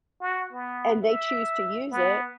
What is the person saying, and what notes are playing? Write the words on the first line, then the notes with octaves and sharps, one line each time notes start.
and they choose to use it,
F#4
B3
E5
B3